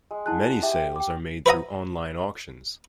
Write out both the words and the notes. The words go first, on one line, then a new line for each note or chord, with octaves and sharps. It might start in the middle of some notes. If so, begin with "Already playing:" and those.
Many sales are made through online auctions.
G#3
E4 G#4 F#5 A5 F#6
G4 E5
G5 D6
B4 C5 E5 F#5 A#5 D#6